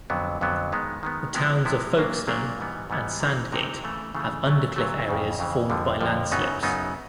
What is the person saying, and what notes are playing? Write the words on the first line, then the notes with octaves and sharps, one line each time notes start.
The towns of Folkestone and Sandgate have undercliff areas formed by landslips.
F2 D3 F#3 B3
F2 D3 F#3 B3
D#3 G#3 B3
D#3 G#3 B3
C3 F3 G#3 B3 E4
C3 F3 G#3 B3 E4
A#2 F#3 A#3 D4
A#2 F#3 A#3 D4
G#2 E3 G3 B3
G#2 E3 G3 B3
C3 E3 G#3 C4 D#4
C3 E3 G#3 C4 D#4
C#3 E3 A3
C#3 E3 A3
A#2 F#3 A3
A#2 F#3 A3
F2 C#3 E3
F2 C#3 E3
F2 D3 F3
F2 D3 F3
F#2 C#3 F#3 B3 D#4
F#2 C#3 F#3 B3 D#4